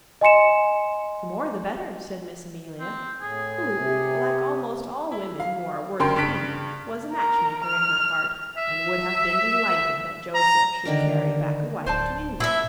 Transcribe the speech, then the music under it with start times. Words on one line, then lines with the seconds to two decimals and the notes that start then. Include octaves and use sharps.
"The more the better," said Miss Amelia; who, like almost all women who are worth a pin, was a match-maker in her heart, and would have been delighted that Joseph should carry back a wife to India.
0.21 D#5 G#5 C6 C#7 E7
2.80 C4
3.22 A2 G#4
3.77 C3
5.12 E4
5.40 F5
6.00 F#2 D3 A#4 G5 C6 G6
6.16 G2 C#3 F6 B6 D7
7.12 A#4
7.64 F6
8.57 E5
10.35 A#5
10.85 D3 D#3 D4 A#4
11.86 D1 C5 D5 A5
12.40 A#2 E4 E5